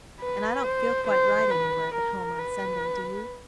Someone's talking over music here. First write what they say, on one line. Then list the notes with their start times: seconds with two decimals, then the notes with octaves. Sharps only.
And I don't feel quite right anywhere but home on Sunday, do you?
0.20 B4
0.64 C5
1.08 C5
1.51 B4
1.95 A#4
2.38 B4